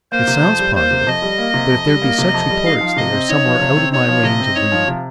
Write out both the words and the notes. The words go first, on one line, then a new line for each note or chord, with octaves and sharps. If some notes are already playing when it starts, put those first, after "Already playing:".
It sounds positive, but if there be such reports they are somewhere out of my range of reading.
A#3 C5
C3
F2
G3
A#3 C5
C3
F2 D#5
G3
A#3
C3
F2
G3
A#3
C3
F2
G3
D#4 F5
F3
C3 D#5
C4
D#4 C#5
F3
C3
C4
D#4 C#5
F3
C3 D#5
C4
D#4 C#5
F3
C3